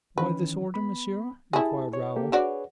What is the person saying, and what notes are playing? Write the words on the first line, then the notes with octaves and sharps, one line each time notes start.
"Why this order, monsieur?" inquired Raoul.
D#3 E3 C#4 B4
B3 B5
E4 G4 G#4 A5
C#5
A#3 G4 A4
D4 F#4 G#4 B4 C#5 D5